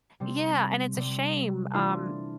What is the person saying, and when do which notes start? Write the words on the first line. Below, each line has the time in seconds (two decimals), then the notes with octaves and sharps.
yeah, and it's a shame, um,
0.20 C3 G3 C4
0.96 C3 G3 C4
1.73 E3 A3 D4 F4 C5